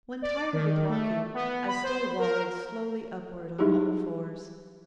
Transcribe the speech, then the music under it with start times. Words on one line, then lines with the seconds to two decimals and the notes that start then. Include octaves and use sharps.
When tired with walking I still wallowed slowly upward on all fours.
0.22 D5
0.53 D#3
0.89 A3
1.34 B3
1.68 B5
1.83 C5
2.19 A#4
3.59 F#3 G3 D#4 E4 G4 G#4